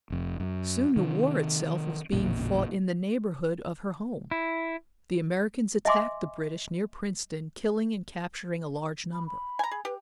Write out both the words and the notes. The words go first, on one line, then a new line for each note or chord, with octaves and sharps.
Soon the war itself was being fought in the neighborhood of her home. The Americans attacked the British near Princeton killing and capturing a large number.
F1 F2
F#2
C3 D#3
A1 E2 A#2 C#3
E4
D#5 E5 G#5 C6 D6
B5
B5
G#5 A#5
G#4
G4 B4